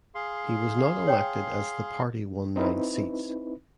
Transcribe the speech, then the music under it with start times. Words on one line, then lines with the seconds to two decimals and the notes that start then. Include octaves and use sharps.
He was not elected as the party won nine seats.
0.15 G#4 F5 C6
1.07 C#5 G5
2.56 C4 D#4 E4 B4